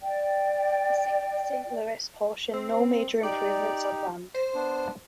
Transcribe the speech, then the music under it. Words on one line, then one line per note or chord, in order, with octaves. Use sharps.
In the City of Saint Louis portion, no major improvements are planned.
D5 G5
C4
D#4 G4 D5
C5
B3 D4